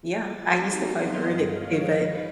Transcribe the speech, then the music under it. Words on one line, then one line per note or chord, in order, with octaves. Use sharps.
Yeah, I used to play with Rubik too, but
A6
C4 D#4 F#4 G4 A#5 C7
F#3 B3 D#5 F5 C6
G2 D#3
F3 G#3 C#5 F5
B4